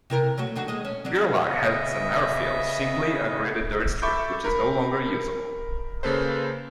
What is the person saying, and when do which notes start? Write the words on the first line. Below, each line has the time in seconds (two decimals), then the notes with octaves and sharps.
Gerlach has an airfield, simply a graded dirt strip, which is no longer usable.
0.10 C3 E4 A#4
0.38 F#3 A3 F#4
0.55 D#2 D4 F#4
0.68 D#2 G#3 D#5
0.85 C#4
1.05 F#3 D4
1.47 C#3 B3 D#5 E5
4.02 A4 E5 B5 C#6 D6 G6
4.44 A#4 B5
6.03 C#3 A#3 A4 B4 C5